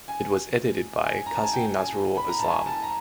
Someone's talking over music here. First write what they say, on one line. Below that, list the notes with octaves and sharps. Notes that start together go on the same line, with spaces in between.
It was edited by Kazi Nazrul Islam.
G#5
G#5
A#5
A5
G#5
G5
G#5
B5
A#5
A5
G#5
A5
A#5